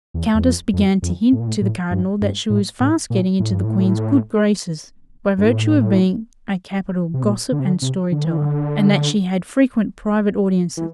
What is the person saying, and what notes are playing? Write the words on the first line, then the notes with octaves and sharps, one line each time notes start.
The countess began to hint to the cardinal that she was fast getting into the Queen's good graces, by virtue of being a capital gossip and story-teller; and that she had frequent private audiences.
E2
E2
F2
F2
F2
A2
A#2
A2
A2
G2
G2
A2
A2
A#2
A2
G2
A2
G2
A2
C3
A#2
D3
C3
D3
C3
D3
E3
D3
E3